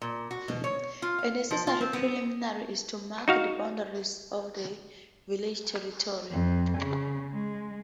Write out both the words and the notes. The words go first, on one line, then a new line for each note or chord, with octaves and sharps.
A necessary preliminary is to mark the boundaries of the village territory.
A#2
F#4
B2
C#5
F4
F5
F3
F4
C4
B3
D#4 F#4 F5
F2
C#3
G#3